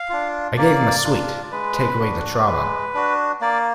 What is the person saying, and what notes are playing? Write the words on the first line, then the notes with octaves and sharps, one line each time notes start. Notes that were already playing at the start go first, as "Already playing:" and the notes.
I gave him a sweet, to take away the trauma.
Already playing: F5
D4 F4
A#3 D5
D4 F4
D5
G#3 B4
D4 F#4
G#3 B4
D4 F#4
A#3 D5